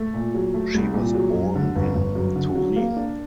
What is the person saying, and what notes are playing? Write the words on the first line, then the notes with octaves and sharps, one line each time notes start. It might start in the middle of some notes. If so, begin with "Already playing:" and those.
She was born in Turin.
Already playing: A3
A#2
F#3
A3
C2
A#2
F#3
F#2
D3
G1
G1
F#2
D3
F#3
A#3
D4